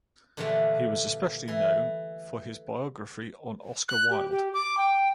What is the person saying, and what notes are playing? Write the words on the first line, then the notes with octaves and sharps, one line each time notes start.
He was especially known for his biography on Oscar Wilde.
A#2 D3 E3 F3 G3 A3
E3 E4
F#6
G4
G4
D6
G5